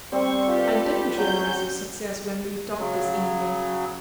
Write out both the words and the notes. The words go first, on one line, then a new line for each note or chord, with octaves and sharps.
I didn't realise your success when we talked this evening.
G3 C4 C5 C#6
F4 G4 A4 B4
F#3 C#4 G6
C#3 F#3